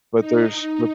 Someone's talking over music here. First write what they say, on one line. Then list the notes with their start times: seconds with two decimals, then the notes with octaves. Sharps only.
but there's, but
0.20 D#4